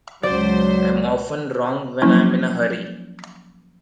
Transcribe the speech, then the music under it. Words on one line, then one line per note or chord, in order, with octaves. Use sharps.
I'm often wrong when I'm in a hurry.
C#2 F#3 C5 D5
F3 F#3 A#3 C#4 E4